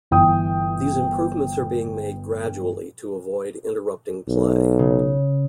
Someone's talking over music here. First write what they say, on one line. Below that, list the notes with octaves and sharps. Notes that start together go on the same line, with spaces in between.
These improvements are being made gradually to avoid interrupting play.
G1 E3 G5 D#6
B1
C#3